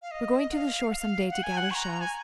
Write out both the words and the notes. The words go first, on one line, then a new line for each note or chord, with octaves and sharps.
We're going to the shore some day to gather shells.
F5
D#5
F#5
F5
F#5
F5
F#5
G#5
F#5
C#6
A#5
G#5